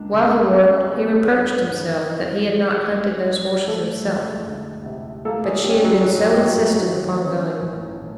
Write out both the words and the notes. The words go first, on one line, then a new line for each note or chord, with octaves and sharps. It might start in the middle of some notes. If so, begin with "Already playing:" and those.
While he worked he reproached himself that he had not hunted those horses himself; but she had been so insistent upon going.
Already playing: C#2 A#3 D4
C#3
G#3 C#4 C#5
B3
G2
D#3
E3
G3
A#1
G#2
F3 A3 A4
G#3
D2
C3
A3 A#3 A4
G#3 G#4
G3 C#4 G4
F#3 F#4
G#2 F#3 F#4
G3 G4
F3 F#3 F#4
D#3 F#3 D#4
B3 C#4
A1
A2